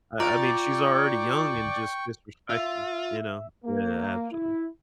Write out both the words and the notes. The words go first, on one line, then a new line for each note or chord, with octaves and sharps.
I I mean, she's already young and just disrespecting you know yeah, absolutely.
F4 D5 G5 A#5 C#6
F4 E5
A#3
E4